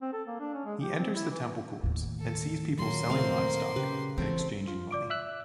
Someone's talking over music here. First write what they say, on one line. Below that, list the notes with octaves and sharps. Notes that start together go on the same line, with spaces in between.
He enters the Temple courts and sees people selling livestock and exchanging money.
C4
A4
A#3
D4
C#4
G#3
G4
C4
E4
E3
E3
D#2 A2
A4
A#2 F#3 A#3 C6
A3 C4 F5
C#3 G4 B4
E3 A3 C4
F4
D5 D6 D7
E5 E6 F#6